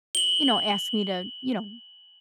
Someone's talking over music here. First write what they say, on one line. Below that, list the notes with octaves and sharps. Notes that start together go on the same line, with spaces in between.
you know, ask me to, you know,
F#7 G7